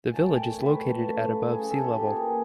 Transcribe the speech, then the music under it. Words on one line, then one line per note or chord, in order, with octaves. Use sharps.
The village is located at above sea level.
G#5
A2 A5
G5
A3 D5
C#5
A2 B4
B4
F3 A4
A4
C#3
G3
G#4
C#3 A4
A4
E3 G4
G4
A#2 G#4